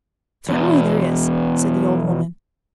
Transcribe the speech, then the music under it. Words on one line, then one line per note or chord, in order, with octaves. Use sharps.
"Certainly there is," said the old woman.
E2 B2